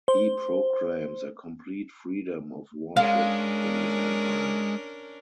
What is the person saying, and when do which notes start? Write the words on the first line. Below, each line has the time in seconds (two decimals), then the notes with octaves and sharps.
He proclaims a complete freedom of worship in his empire.
0.08 C5
2.96 G#3 C#4 D4 A#4 F5